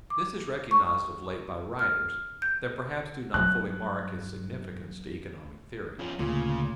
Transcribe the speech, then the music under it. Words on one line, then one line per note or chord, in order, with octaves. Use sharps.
This is recognized of late by writers that perhaps do not fully mark its significance to economic theory.
D6
C#6
F6
G6
G2 F#3 F#6
F3 C#4
D2 A#2 C#3